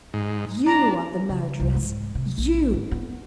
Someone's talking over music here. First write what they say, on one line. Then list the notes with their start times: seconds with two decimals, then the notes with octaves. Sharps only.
You are the murderess--you!
0.14 G#2
0.66 D4 A#5
1.29 C#3
1.60 C2
1.75 G#2
2.15 C3
2.38 A#1
2.73 G#2
2.91 B3